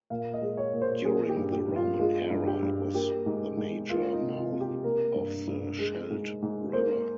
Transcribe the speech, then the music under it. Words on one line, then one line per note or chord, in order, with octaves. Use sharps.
During the Roman Era it was the major mouth of the Scheldt River.
A#2 F5
D#5
G#3
C#5
A#2
C5
A#3 G#4
G4
G2
G4
G2
F4
G#3 F4
G2
G4
G2
A#3 G4
G#2
G#2
A#3 F4
D#4
C3
F4
C3
G4
A#3 A#4
G2
G2
G#3
G#2
G#2
A#3 C5